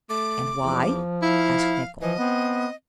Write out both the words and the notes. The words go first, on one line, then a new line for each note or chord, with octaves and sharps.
"And why?" asked Nicholl.
A3 D6
E2 F3
E4 F5
E3 F3 D#5
B3 C4